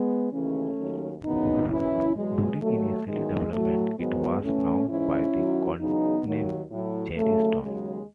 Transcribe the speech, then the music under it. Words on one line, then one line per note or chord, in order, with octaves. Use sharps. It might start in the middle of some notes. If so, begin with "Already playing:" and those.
During initial development it was known by the codename "Cherry Stone".
Already playing: G#3 B3
D#2 C#3 E3 A3 C#4
D#2 D#3 F#3
F#2 C#3 E3 B3 D#4
F#2 E3 C#4 E4
E2 B2 F#3 G#3
D#2 D#3 F#3 A3
E2 D#3 F#3 G#3
A2 F#3 A3
G#2 D#3 F#3 G#3 B3
A2 E3 A3 C#4
G#2 E3 C#4 E4
F#2 D#3 F#3
E2 C#3 F#3 B3 D#4
D#2 D#3 F#3
A2 F#3
D#2 C#3 F#3 A3
D#2 C#3 F#3 G#3